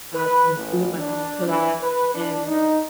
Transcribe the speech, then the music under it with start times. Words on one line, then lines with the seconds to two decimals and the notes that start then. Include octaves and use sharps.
uh, some food my mom cooked. And
0.13 B4
0.55 A1
0.97 D4
1.47 E3
1.82 B4
2.14 D4
2.47 D#4